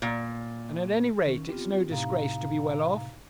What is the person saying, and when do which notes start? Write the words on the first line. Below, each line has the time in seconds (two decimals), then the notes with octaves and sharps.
'And at any rate, it is no disgrace to be well off.'
0.02 A#2
1.27 D#3 C#4
1.49 B3 C4 F4 G4
1.90 A2 C3 D#4 F5 A#5